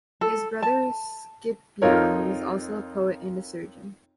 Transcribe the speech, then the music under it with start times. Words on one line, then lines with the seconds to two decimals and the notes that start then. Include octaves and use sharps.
His brother Scipion was also a poet and a surgeon.
0.21 A4
0.62 A5
1.82 F2 D#4 F4 A#4 C#5